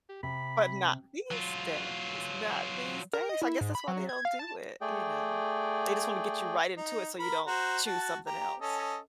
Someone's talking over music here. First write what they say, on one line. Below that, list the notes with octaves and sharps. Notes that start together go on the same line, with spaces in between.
But not these days, not these days. I guess that's why they don't do it, you know? They just wanna get you right into it so you don't choose something else.
G4
C3 B5
F#3 F4
A#4
D#5
E4
G#2
B5
F#3
G#6
F5
A5
A3 G#4 D5 G5
D#4
A#4 B5
F#4 C5 A#5
F#4 A5
G4 A#5
C#4 A4 D#5